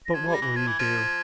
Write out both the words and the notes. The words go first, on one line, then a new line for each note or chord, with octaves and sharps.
"But what will you do?"
A#6
F3 G#6
G3
A#6
E3
F3 G#6
E3
F3